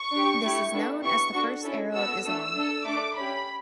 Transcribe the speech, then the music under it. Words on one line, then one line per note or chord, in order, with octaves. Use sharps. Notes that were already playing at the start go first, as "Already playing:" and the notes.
This is known as the first arrow of Islam.
Already playing: C#6
D4 G4
A3 E4 G4
B3 D4 A4
B3 E4 G4 C#6
D4 F#4 A4
C#4 E4 A4
B3 F#4 A4 E6
A3 D4 A4 E6
D4 A4
A3 D4 A4 D6
C#4 G4 B5